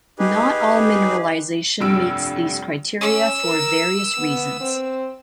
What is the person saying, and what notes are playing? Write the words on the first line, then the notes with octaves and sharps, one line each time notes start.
Not all mineralization meets these criteria for various reasons.
D#4 G4 G#4 B4
F1 G2 E6 D7
C#4 E6
A#4
B3
C4